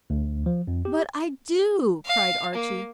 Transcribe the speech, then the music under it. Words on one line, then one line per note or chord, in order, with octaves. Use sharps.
"But I do," cried Archy.
D2
F3
F2
G4
F5
A#3